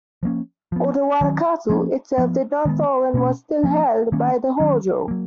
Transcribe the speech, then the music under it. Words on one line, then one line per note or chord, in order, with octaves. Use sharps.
Odawara castle itself did not fall and was still held by the Hojo.
F3 A#3 C#4
F3 B3
D#3 F#3 C#4
F3 A#3 C#4
F3 B3
D#3 G#3 B3
B2 A#3 C#4
F3 A#3 C#4
D#3 A#3 C#4
D#3 F#3 C#4
F#3 A#3